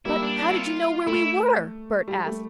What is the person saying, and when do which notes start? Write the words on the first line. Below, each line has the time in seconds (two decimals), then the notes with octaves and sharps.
"But how did you know where we were?" Bert asked.
0.05 G3 A#3 E4
0.22 D4
0.39 D4
0.49 E4
0.56 F4
1.06 A3 E4
2.08 G3
2.25 A3